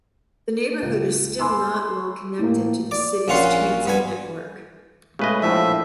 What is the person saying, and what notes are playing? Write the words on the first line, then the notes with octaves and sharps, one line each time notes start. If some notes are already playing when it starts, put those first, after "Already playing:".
The neighborhood is still not well-connected to the city's transit network.
C#2
G#5 B5 C6 D6 E6
A2 A#3
D5 D6
A#1 A#2 C#4 F4 F#5 C6
G2 B3 G#5
C#3 G#3 A3 B4 D#5
A#1 A2 F3 E4 E5